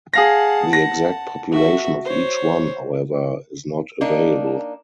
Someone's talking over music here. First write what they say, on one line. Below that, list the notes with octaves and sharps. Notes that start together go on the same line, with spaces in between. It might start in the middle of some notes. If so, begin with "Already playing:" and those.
The exact population of each one, however, is not available.
G#4 F5 F#5 A5 A#6
A#6
F#4 E5
C5 C#5
A#3 D4 D#4